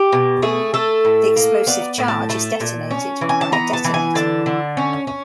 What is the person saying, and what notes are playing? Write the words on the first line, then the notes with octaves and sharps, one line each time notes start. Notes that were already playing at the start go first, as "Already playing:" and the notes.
The explosive charge is detonated by a detonator.
Already playing: G4
B2
A3 G#4
A3 A4
A2
A#3
B3 D5
A2
A5
A3 A5
A#2
C#4
E3
G#5
A5
B3 A#5
A5
E3
G#5
D3 A5
D3
C#4
C#4